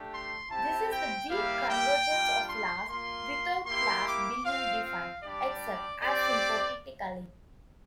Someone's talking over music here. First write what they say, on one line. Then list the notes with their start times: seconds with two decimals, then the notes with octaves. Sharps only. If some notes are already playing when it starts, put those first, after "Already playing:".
This is the "weak convergence of laws without laws being defined" - except asymptotically.
Already playing: A3 D4 G4
0.12 C6
0.51 C4 E4 G4 A5
0.91 G5
1.30 G3 A#3 E4 G4 F5
1.69 G5
2.09 G3 D4 F4
2.48 C6
2.88 A#3 F4 C6
3.66 A#3 E4 G4 C6
4.06 D6
4.45 C4 F4 F5
4.84 F5
5.24 G3 D4 G4 D5
6.02 C4 G4 D5